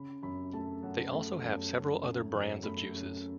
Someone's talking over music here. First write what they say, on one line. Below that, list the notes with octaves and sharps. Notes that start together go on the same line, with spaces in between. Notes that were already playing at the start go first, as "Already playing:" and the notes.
They also have several other brands of juices.
Already playing: C#3 B5
F#2 B5
A3 A5
F#2 F#5
A3
F#2
C#3
A3
F#2
A3 B5
F#2